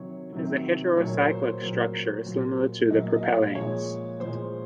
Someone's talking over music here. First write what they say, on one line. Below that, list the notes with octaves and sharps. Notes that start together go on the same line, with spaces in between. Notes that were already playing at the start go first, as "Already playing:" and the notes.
It is a heterocyclic structure similar to the propellanes.
Already playing: C3 D#3 F#3 C#5
C3 D#3 F#3
A#2 F#3 A#3 C#5
C5
A#2 F#3 A#3
A#2 F#3 A#3
A#2 F#3 A#3 D#5
D#5
F5
A#2 F3 G#3 C#5
A#2 F3 G#3 C5